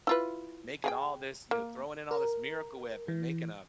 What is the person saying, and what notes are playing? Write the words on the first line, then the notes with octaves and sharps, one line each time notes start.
making all this you know, throwing in all this Miracle Whip, and making a
E4 F4 B4
G#4 F5 G5
A#3
A#4
E3